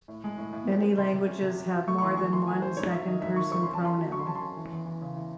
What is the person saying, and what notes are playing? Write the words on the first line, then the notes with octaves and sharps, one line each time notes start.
Many languages have more than one second-person pronoun.
A2
G#3
A2
A2
C4
C4
C3 C6
C3
C#4
C3
F#3
F#3
A3 C#6
C#6
E3 C6
E3 C#6
E3 C6
E3 G#5
C#4 C5
G#2 C#5
F#3 E5
D#3 D#5
G#2 E5
D#3 C#6
C4 C#6
C#4 C6
A5
C#4 C6
F#3
F#3 C#6
C6
C#4 A5
C6
C#4
E3
E2
E3
C#3
E3